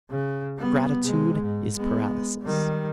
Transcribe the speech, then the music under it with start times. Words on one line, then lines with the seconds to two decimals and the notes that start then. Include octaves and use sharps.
Gratitude is paralysis.
0.11 C#3
0.58 G3 B3
1.03 C3 G#3
1.40 G#2
1.77 G#3 B3
2.42 D#3 G3